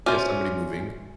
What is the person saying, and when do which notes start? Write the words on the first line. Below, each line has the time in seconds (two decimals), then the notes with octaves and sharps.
Yeah, somebody moving.
0.06 C#4 F#4 C5 D5 E5 D#7